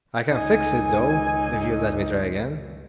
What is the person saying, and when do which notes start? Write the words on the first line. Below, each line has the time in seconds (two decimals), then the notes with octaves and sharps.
I can fix it, though, if you'll let me try again.
0.31 C#2 D#4 G#5